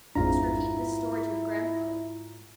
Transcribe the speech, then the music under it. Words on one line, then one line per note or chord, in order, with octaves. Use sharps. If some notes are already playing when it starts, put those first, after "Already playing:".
"You must repeat this story to your grandfather."
A1 F2 G#2 D4 E4 F4 A#5